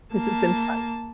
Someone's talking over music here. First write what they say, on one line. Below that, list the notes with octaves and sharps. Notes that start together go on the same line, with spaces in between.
This has been fun.
A#3 A5